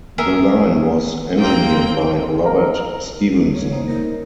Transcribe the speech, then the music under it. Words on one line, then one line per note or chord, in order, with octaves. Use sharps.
The line was engineered by Robert Stephenson.
G#4 A#4 E5
A#3 C4 G5
A#4
C#5
A#3 D#4 C5
D#4 A#4